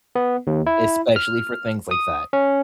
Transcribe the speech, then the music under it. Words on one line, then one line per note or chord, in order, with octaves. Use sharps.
especially for things like that.
B3
D#2
E4
F6
D#6
C#4